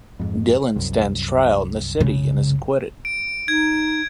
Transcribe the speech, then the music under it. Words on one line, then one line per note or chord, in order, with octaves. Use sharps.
Dylan stands trial in the city and is acquitted.
F2 G#2
C2 F#2
C#3 G#3
D7
D#4 G#6